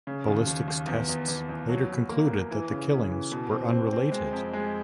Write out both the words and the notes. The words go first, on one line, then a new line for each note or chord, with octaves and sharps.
Ballistics tests later concluded that the killings were unrelated.
C#3
D#2
D#2
D#2
E2
E2
E2
E2
F#3
F#3
A#3
A#3
E3
C#3
C#3
E3
B2
C4
C4
C4
G#3
F2
G#3